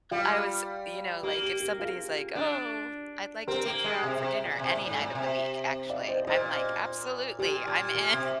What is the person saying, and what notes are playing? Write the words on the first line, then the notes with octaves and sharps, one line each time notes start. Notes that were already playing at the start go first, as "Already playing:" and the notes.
I was you know, like if somebody's like, "Oh, I'd like to take you out for dinner any night of the week," actually, I'm like, "Absolutely, I'm in.
G3 F4
A#3 G4
G4
G4
F4 G#4
D4
C4 G4 A#4
A#3
G#3
C3
C3
A#2
C3
A#2
G#2
A#2
C3
D5 F5
C5 D#5
A#2 C5 D#5
A#2 G4
A#2
A#2
C3